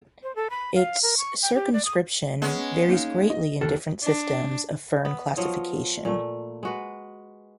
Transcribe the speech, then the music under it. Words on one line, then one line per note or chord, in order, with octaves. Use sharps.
Its circumscription varies greatly in different systems of fern classification.
C5
A4
B5
F5
A#4
C#6
G5
G4
D5
D#6
G#3 B3 C#4
A#3 D#4 F5
D#5
D#2 A4
D4
B3
F3 F#3 C#5 D#5
A#2 A3
G#3 F#4 B4